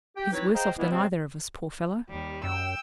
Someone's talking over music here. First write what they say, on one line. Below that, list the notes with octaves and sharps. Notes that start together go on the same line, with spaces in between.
He's worse off than either of us, poor fellow.'
G4 G5
C4 D#4 E4 B4 C#5
G#4 C5 D#5 F5 G5 A#5
E3 G3 G#3 B3 E4
C3 F#3 G#3 A3 C4
D#2 G3
F#2 G5 E6